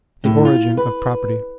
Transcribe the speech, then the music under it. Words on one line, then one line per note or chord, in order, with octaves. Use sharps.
The Origin of Property.
A2
F4
B4